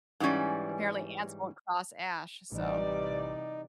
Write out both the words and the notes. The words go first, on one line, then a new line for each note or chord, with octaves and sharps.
apparently ants won't cross ash so
G#2 E3 G3 C#4 D5
A1 C3 E3 G3 D#4 D5